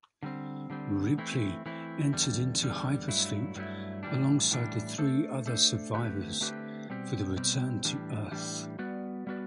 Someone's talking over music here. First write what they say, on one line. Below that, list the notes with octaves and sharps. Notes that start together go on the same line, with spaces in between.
Ripley enters into hypersleep alongside the three other survivors for the return to Earth.
D3 G3 C4
D3 G3 C4
E3 A3 C4 E4
E3 A3 C4 E4
E2 D3 G3
E2 D3 G3
G2 F#3 A3 E4
G2 F#3 A3 E4
A2 E3 G3 D4
A2 E3 G3 D4
A3 D4 A4 C5
A3 D4 A4 C5
D3 A3 C4 G4 B4
D3 A3 C4 G4 B4
B2 G3 C4 G4
B2 G3 C4 G4
A2 E3 G3 D4 G4
A2 E3 G3 D4 G4
G3 B3 F#4 B4 D5
G3 B3 F#4 B4 D5